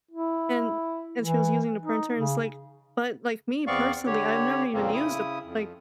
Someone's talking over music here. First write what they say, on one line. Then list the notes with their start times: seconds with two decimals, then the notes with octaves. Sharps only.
and and she was using the printer and it's like but, like, me personally, I've never even used a p like,
0.11 E4
1.21 E3
1.82 D#4
2.17 C#3
3.67 E2 B3 C4 D5 F5 C#6
4.06 D3 G4 C#5
4.74 F2 A#2 C#3 A#3 C4
4.94 C#3 E4 D#6
5.44 F2